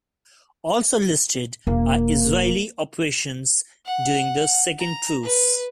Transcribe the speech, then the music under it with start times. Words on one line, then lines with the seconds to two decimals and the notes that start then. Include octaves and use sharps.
Also listed are Israeli operations during the second truce.
1.67 E1 A#3
3.86 F#5
4.79 A#5
5.24 B4